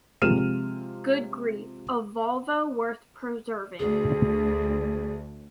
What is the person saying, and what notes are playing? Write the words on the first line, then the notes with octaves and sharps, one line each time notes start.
Good grief, a Volvo worth preserving.
C3 F3 G#3 F6 D#7 E7
D2 G#4